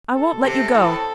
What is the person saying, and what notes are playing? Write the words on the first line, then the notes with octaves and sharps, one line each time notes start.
I won't let you go!
A4
C3
A2